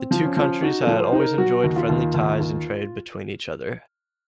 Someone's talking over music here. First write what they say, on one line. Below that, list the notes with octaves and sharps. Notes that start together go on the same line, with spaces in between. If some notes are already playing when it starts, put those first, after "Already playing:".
The two countries had always enjoyed friendly ties and trade between each other.
Already playing: C4
F3
C#4
F3
D#4 F#4
A4
F3
C5
D#4
A#4
F#3 F#4
D#2
F4
D#2
D#2
D#2